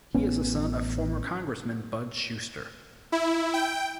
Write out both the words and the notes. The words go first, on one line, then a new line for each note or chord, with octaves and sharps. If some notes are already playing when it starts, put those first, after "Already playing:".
He is a son of former Congressman Bud Shuster.
A1 B3 C#4
E4
G5